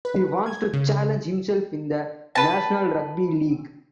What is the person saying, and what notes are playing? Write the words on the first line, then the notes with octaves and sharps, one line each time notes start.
He wants to challenge himself in the National Rugby League.
B4
G#6
C#3
B4 A5